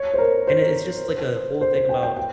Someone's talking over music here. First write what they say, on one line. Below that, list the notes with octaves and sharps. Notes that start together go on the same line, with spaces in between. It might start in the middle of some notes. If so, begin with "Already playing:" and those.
and it's just, like, a whole thing about
Already playing: C#5
C5
A#4
C5
C5
C5
G5
G5
G5